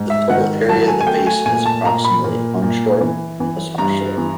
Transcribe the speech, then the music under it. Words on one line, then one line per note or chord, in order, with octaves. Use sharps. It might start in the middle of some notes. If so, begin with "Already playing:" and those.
The total area of the basin is approximately onshore plus offshore.
Already playing: G#2
E5
D#3 F#5
F#3 A5
G#5
G#5
A3 G5
G#5
A#2 G#5
A5
A#2 A#5
B5
A#2
A#2
E3
E3
G2 A#5
E3